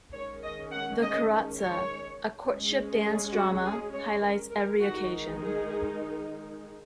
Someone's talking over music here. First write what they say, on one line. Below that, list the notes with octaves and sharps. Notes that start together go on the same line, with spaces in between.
The "kuratsa" - a courtship dance-drama - highlights every occasion.
D#3 G#3 C#4 C#5
D#5
F#5
D#5
C#5
G#3 C#4
G#4
F#4
G#4
C#5
A#4
A#4
D#3 G#3 D#4 F#4
G#4